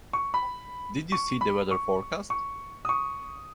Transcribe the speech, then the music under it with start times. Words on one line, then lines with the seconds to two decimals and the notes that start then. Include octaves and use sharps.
Did you see the weather forecast?
0.13 C#6
0.34 B5
1.12 C#6
1.41 B5
1.71 C#6
2.30 C#6
2.85 D#6
2.89 C#6